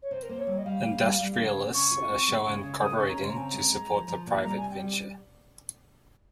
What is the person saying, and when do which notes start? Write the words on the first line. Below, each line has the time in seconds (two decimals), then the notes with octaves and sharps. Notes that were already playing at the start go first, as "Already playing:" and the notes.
Industrialists are shown cooperating to support the private venture.
0.02 C#5
0.11 C3 C5
0.22 A#4
0.29 A#3 C5
0.38 C#5
0.47 G3
0.58 D#5
0.65 G3 F5
0.83 A#3
1.01 G3
1.19 G3
1.37 C#3
1.56 C4
1.73 C#3 C#6
1.91 F4
2.10 C4
2.28 G#3
2.46 C#3
2.63 C#3
2.81 G#3 D#6
2.95 C#6
3.00 C#4
3.09 A#5
3.18 C#3 C6
3.29 A#5
3.36 C4 G#5
3.44 A#5
3.53 G#3
3.72 G#3
3.89 F3
4.08 F3
4.26 A#2
4.43 G3 A#5
4.57 G#5
4.62 C3
4.71 G5
4.80 G3